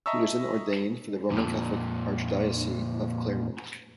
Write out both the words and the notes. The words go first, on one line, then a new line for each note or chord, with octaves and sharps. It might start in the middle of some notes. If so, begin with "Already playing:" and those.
He was then ordained for the Roman Catholic Archdiocese of Clermont.
D#5 E5 A5 A#5 C#6 E6
F2 A#2